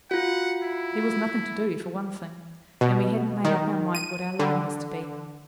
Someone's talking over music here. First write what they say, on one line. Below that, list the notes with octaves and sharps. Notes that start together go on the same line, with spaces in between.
There was nothing to do, for one thing; and we hadn't made up our mind what our line was to be.
F4 F#4 F#5
E4
B2
D#3
D#7
D3